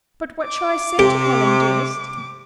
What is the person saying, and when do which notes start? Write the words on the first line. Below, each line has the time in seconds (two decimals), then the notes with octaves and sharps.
"But what shall I say to Helen, dearest?"
0.44 D6
0.99 C3 G4